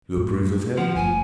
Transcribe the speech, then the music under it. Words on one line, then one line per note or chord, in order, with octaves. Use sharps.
"You approve of him?"
A2
F3 F#5
F#1 A3 G#5